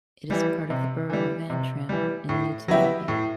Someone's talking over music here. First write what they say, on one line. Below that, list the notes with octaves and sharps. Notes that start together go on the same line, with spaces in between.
It is part of the Borough of Antrim and Newtownabbey.
E3 G3
C3
E3 G3
C3
E3 G3
A2
F#3 B3 E4 G4
A2